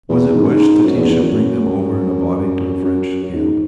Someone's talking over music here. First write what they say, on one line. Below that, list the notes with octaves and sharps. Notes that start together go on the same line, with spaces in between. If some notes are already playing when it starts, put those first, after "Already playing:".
Was it wished that he should bring them over in a body to the French camp?
E2
G#2
F#2
G#2
F#2
E2
E2
F#2
F#2
F#2
F#2
G#2